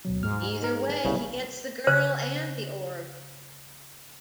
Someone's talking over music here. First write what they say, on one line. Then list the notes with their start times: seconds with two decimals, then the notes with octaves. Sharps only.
Either way, he gets the girl and the orb.
0.05 D2 B2 F#3
0.23 G#2 F6
0.64 A#4
0.88 B4 G#5
1.05 C2 C#3
1.87 C#3 C5